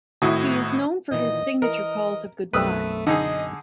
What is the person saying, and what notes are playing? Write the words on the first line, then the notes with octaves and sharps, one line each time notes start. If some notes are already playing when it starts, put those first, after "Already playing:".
He is known for his signature calls of Goodbye!
G#1 A2 E4 F#4 D#6
A#2 D#3 E3 D#5
E3 A#4 D#5
B1 F#2 A3 C4 B4 D#6 E6
D3 D#4 G#4 D#5